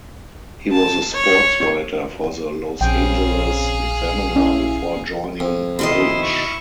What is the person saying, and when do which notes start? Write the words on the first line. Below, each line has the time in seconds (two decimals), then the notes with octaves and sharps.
He was a sports writer for the "Los Angeles Examiner" before joining Roach.
0.72 A5
1.14 C#5
2.81 A#1 C#3 C4 C#4 G#4 F5 G5
4.36 C#4 E4
5.40 F2
5.79 B2 D#3 E4 D#5 C6
6.23 C#6